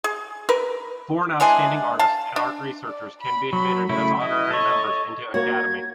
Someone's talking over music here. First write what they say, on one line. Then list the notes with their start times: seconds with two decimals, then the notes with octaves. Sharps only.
Foreign outstanding artists and art researchers can be admitted as honorary members into Academy.
0.04 G#4
0.49 A#4 B4
1.40 E3 G#3 D4 G#5
1.99 F5 A5
2.36 D4
2.87 D5
3.21 B5
3.53 F#3 B5
3.89 C#3 A3 E4 B5
4.22 E4 D#5
4.51 A4 C#5
5.34 A#3 F#4 C#5 G#6